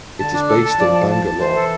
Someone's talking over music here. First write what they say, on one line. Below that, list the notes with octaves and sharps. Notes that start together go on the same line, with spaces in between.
It is based in Bangalore.
D3 A5
D4
A4
A5
F3 D5
A5
A5
A5
E3 C5
A4